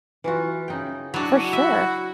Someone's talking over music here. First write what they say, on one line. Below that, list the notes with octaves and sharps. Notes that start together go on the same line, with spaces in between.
For sure.
E3 F4 F#4
C#3 D#4 G5
F#3 D4 E4 F#4
E5